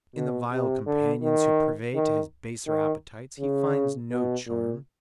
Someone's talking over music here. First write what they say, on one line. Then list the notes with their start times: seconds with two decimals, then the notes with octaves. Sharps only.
In the vile companions who purvey to his baser appetites he finds no charm.
0.15 B2
0.52 C3
0.87 D3
1.23 D#3
1.95 D#3
2.67 D#3
3.40 C#3
4.11 B2
4.47 A#2